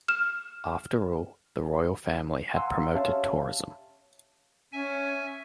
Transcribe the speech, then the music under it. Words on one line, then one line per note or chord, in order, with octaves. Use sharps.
After all, the royal family had promoted tourism.
F6 E7
F5 F#5 G#5 A#5 C6 E6
C#4 G4 C#5 E5 F5 A5
C#4 E5 G#5